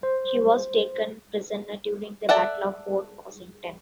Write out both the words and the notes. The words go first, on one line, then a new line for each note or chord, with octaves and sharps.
He was taken prisoner during the Battle of Fort Washington.
C5
A4 D5 E5 F#5